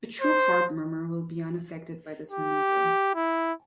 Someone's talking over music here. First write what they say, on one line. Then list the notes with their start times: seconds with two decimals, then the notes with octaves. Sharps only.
A true heart murmur will be unaffected by this manoever.
0.21 C5
2.31 G4
3.15 E4